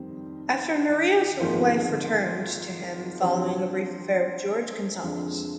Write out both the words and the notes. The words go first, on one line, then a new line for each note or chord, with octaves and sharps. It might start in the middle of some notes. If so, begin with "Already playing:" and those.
After Narea's wife returned to him following a brief affair with Jorge Gonzalez.
Already playing: F2 D#3 G3 C4
G#1 G#2 F3 A#3 F4
D3 F3 C4 G4 C5
F1 F2 D3 F3 G#3